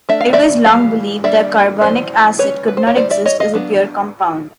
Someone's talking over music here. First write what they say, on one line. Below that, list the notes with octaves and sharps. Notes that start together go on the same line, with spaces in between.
It was long believed that carbonic acid could not exist as a pure compound.
A3 D4 E5
F5
D5 E5
E3 G3 F5
G3 A#3 D4 D5 E5
F#3 A#3 C#4 E4 C5 D5
G3 A#3 C#4 B4 C#5
B4
C5
C#5
G3 B3 D#4 C5 D5
D5 E5
C#5 D#5
D#5 F5
F#3 B3 D4